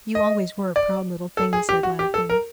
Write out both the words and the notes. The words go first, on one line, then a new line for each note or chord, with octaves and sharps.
"You always were a proud little thing," he said laughing.
D#5
D5
A4
G#4
G4
F#4
G4
A4
A#4